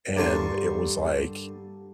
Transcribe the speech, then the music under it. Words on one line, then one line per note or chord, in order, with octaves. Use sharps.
and it was like
G2 D3 A#4 A5 C6 C#6